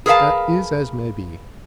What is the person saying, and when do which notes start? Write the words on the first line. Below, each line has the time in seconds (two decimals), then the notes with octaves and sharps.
"That is as may be."
0.06 G#4 A#4 B4 D5 F5 A5